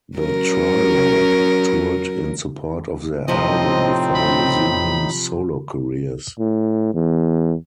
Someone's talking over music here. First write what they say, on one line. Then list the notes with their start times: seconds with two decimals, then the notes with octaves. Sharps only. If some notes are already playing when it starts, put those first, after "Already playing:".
The trio toured in support of their album before resuming solo careers.
0.17 F#3 C#4 A#4
3.28 A2 C3 F3 C4 D#4 D#5
4.15 B5
6.39 A2
6.94 E2